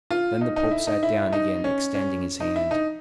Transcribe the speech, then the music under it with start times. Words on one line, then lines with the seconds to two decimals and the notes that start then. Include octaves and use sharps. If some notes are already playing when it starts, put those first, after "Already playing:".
Then the Pope sat down again, extending his hand.
0.11 F4
0.41 D#4
0.56 D#4
0.71 E4
0.87 D#4
1.03 E4
1.32 D#4
1.64 C#4
1.95 C#4
2.40 D#4
2.56 E4
2.71 D#4